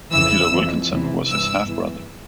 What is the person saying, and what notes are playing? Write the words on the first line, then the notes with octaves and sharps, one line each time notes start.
Peter Wilkinson was his half-brother.
F2 C#3 E3 E6
F2 E3
E2 C3 E3
G2 E3 E6
E2 E3